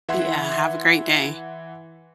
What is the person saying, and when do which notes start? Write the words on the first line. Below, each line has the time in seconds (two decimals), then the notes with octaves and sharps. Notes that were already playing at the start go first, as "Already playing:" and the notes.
Yeah, have a great day.
0.09 E3 E5 F#5 C6 G#6